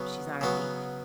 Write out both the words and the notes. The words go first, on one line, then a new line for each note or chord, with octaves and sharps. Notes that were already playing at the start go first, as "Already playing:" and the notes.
she's not a thief.
Already playing: C#3 F#3 B3
C#3 F#3 B3